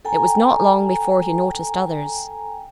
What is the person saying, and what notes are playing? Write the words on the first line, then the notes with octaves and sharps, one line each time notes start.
It was not long before he noticed others.
A4 G5 G#5 A#5